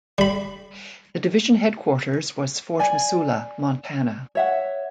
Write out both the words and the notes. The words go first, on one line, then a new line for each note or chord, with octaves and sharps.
The division headquarters was Fort Missoula, Montana.
G3 B5
D5 G#5
C#5 E5 F#5